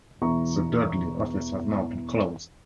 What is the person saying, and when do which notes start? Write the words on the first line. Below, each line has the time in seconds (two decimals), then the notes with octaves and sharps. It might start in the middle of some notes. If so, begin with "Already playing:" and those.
The Dudley office has now been closed.
0.22 E1 E2 E3 E5 A#5 C#6